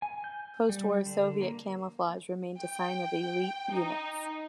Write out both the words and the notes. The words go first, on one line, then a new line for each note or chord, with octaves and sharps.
Post-war Soviet camouflage remained a sign of elite units.
G#5
G6
G3
D3
A#3
G5
D#4